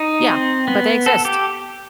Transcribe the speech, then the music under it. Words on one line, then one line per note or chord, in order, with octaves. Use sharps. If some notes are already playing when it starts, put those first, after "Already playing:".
Yeah, but they exist
Already playing: D#4
C4
B3
A4
G4